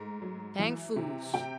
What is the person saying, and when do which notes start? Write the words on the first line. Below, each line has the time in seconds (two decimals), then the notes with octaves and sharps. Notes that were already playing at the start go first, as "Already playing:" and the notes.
Chang Foo's!
Already playing: G#2 A3 A#5
0.22 F#3
0.59 E3
0.96 C3
1.34 C3 G5